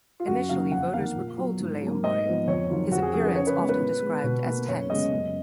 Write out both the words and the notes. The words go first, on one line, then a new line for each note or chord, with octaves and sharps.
Initially, voters were cold to Leijonborg, his appearance often described as tense.
F4
F#2 F#4
C#3 F#3 A#3 F5
F2 F#5
D#3 A#3 F5
A#2
F#3 B3
G#2
F#3
A#3
G#2 D#5
F3 B3
F2 C#5
D#3 F#3 F4
F2 F#4
G#4
C#3 F3 G#4
B4
C#3 C#5
B4
G#3 B3
B4
A#2
G#3 B3
B2
A#3
F#2 C#5
C#3 G#3 B3 D#5
F#2